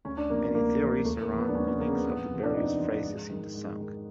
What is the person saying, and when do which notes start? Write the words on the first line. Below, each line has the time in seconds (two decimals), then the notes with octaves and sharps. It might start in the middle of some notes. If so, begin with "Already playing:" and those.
Many theories surround the meanings of the various phrases in the song.
0.05 D2 C#4
0.17 D4
0.30 C3 F3 A#3
0.42 A#3
0.55 D2 A#3
0.80 C3 F3
1.04 D#2 A3
1.22 A#3
1.30 C#3 F3
1.38 B3
1.48 D4
1.55 D#2 C#4
1.67 B3
1.80 C#3 F3 A#3
1.93 B3
2.04 F2 B3
2.30 C3 F3
2.43 D4
2.55 F2 D#4
2.80 C3 F3
3.05 G#2
3.30 D#3
3.55 G#2
3.80 D#3